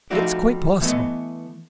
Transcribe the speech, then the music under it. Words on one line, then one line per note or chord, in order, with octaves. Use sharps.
"It's quite possible."
F3 G3 A3 D#4 F#4 D5
E3 A3 B3 D#5